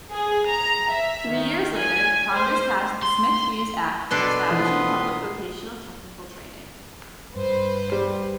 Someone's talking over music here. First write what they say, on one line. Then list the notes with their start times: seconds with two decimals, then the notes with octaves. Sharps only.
Three years later, Congress passed the Smith-Hughes Act for establishing public vocational technical training.
0.10 G#4
0.47 A#5
0.90 E5
1.29 D#3
1.78 G#5
2.35 C5
3.03 C6
4.11 B2 D4 A4 B4 C6 D6
4.49 E3 F3 A#3 B3 D#6
7.36 G2 B4 C5
7.92 G3